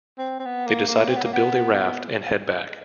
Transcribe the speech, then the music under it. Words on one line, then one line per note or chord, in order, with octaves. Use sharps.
They decided to build a raft and head back.
C4
C4
B3
A#3
A#3
C4
B3
A#3
B3